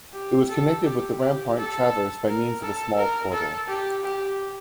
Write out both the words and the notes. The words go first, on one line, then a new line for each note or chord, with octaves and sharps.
It was connected with the rampart traverse by means of a small portal.
G4
A4
G4
G4
A4
A#4
A4
A#4
A4
G4
G4